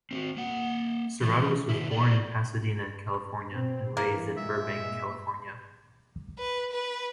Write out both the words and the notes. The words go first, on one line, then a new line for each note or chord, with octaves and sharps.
Serratos was born in Pasadena, California and raised in Burbank, California.
C4 F4 F#4
A#3 F#5
D3 E3 F3 G#3 A3
B2 D#3 E4
B3 D#4 E4 A4 D5
B2 C4
G2 E3 A#3
G2 A#2 G#3 E5
B4
B4